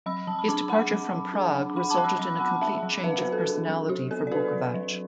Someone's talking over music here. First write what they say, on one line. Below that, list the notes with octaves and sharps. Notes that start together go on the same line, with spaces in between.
His departure from Prague resulted in a complete change of personality for Bukovac.
F#3 B5 E6
F#3 A5
B5
D4 A5 D6
D4 F#5 B5
F#3
F#3
D4
D4
D4 F#5 B5
A5 D6
F#3 F#6
B5 E6
F#3 B5 E6
B3 F#5 B5
B5
D4 E5 A5
F#3
F#3 B4 E5
F#4 B4
B3
A4
D4
F#3
F#3 F#4
B3 A4
D5
D4 F#4 B4
F#3
F#3